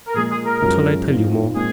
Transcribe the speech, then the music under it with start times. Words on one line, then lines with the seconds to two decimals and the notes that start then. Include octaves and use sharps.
What shall I tell you more?
0.07 A#4
0.14 A#2 F3 G#3 G#4
0.30 G#4
0.45 A#4
0.62 F#2 F3 G#3 C#4 F#4
1.08 G#2 F3 C4 F4
1.55 A#2 G#3 C4 G#4